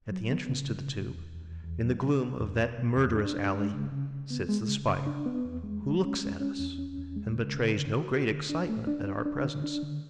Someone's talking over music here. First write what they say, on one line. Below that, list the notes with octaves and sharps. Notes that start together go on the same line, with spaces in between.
At the entrance to the tube, in the gloom of that murderous alley, sits the Spider, who looks at us and betrays no great excitement at our presence.
F#3
B3
C#3
C#3
B2
E2
E2
E2
E2
F#3
B2
B2
E2
B2
B2
E2
D4
D4
G#3
C#3
C#3
C#3
B3
G#3
C#3
C#3
D4
B3
E2
G#3
G#3
C#4
G#3
C#4
E2
C#4
E2
G#3
C#3
C#3
D3
F#4
F#4
D3
D4
A3
D4
D4
D4
D3
D4
D3